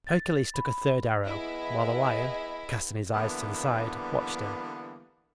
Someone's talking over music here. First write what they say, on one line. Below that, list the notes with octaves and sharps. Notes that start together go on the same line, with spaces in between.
Hercules took a third arrow, while the lion, casting his eyes to the side, watched him.
A6
B5
B3 E4 G#4 D#5
D3 E3 G3 A#3 B3